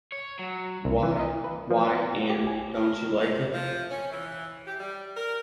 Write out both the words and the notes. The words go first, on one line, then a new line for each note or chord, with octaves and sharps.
Why — why — Anne, don’t you like it?
C#5
F#3
C2
E3
D#5
B4
F3
B3
G4
G#5
A#4
G#2
C3
F3
C#4
E3
G4
G3
A#4